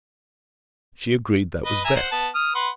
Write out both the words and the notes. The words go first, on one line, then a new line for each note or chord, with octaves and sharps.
She agreed that was best.
B4 D#5
E5 G#5 A#5
C5 F#5
B3 A5
D#6 F6
B4 F#5 C6